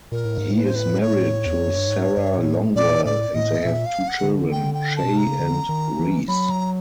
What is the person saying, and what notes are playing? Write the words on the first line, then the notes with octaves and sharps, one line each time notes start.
He is married to Sarah Longwell, and they have two children, Shaye and Reece.
A#2 A#4
A2
G#2
A2
B4
C5
B4
C#5
E2
F2
F#2
G2
G#2
G2
A#2
A2
A#2 D5
A2 D5
A2 D#5
A#2 E5
F5
F#5
D3
G5
G5
A5
B2
C3 A#5
C#3
D3
D#3
E3
F#3 B5
A#5